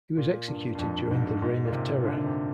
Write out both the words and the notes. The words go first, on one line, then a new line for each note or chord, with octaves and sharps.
He was executed during the Reign of Terror.
A#2
G2
G2
F2
G2
G#2
G2
G#2
A#2
C3
D3
D3
C3